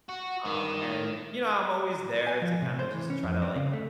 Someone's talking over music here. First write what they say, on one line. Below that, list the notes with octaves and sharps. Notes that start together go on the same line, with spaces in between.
Um, and, you know, I'm always there to, kinda, just try to, like,
F#4
D#3
G#5
F3
C3
C5
E3
C#4
F2
C4
C#3
A3